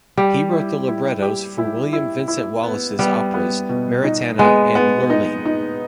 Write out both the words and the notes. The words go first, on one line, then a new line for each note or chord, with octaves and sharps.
He wrote the librettos for William Vincent Wallace's operas "Maritana" and "Lurline".
G3 G4
E4
E4
G4
E4
E4
E4
B3
G3 B3
B3
B2
D#4
G#3 B3
B3
D#4
D#4